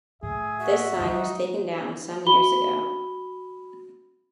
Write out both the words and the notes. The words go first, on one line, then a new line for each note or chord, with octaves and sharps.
This sign was taken down some years ago.
A2 G#4 E5
F#4 E5
F#3 G#3 D#4
F#4 B5 G7